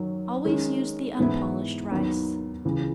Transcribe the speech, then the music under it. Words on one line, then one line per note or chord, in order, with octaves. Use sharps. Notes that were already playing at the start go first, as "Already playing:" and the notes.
Always use the unpolished rice.
Already playing: F#2 D#3 F#3 C#4
D#3 G#3 C#4
G#2 E3 B3 E4
D#2 D#3 F#3 B3
C#2 C#3 E3